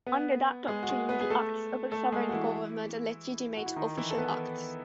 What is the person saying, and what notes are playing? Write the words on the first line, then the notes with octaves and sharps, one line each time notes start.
Under that doctrine, the acts of a sovereign government are legitimate, official acts.
B3 B4
G#3 G#4
F#4
G#3 G#4
B3 B4
G#4
A3 A4
A3 A4
G#3 G#4
F#4
E3 E4
F#4
E4
D#3 D#4
E3 E4
A4
B3 B4